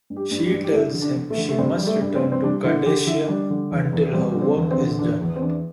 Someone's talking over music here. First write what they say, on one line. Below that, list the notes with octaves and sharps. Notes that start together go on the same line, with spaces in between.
She tells him she must return to Cardassia until her work is done.
G2
G4
G2
G4
G2
G4
G2 E4
D3
D4
D3
A3
D3
A3
G2 C4
G3
A3
G2
C4
G2
C4
G3 D4
D3 E4
D3 G4
D3 E4
G3 D4
D3
E2
E2
G3 C4
D3
C4
E2
C4
D3
E2 D4
E2
C4
E2 D4